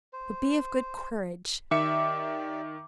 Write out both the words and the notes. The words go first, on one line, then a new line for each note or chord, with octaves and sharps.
But be of good courage.
C5
D#3 G4 D5 E5 D6 C#7